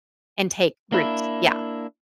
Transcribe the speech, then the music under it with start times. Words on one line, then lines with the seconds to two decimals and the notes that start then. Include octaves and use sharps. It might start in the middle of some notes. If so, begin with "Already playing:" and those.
and take root. Yeah.
0.92 A#3 D4 E4